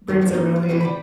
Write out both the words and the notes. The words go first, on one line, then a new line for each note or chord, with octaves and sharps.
brings a really,
G2 D#3 G3
E2 G2 F3
G#2 A#3 C#4 D#4 D#5
F#3
A2 E3 G#3 C4 E4
D5 G5 B5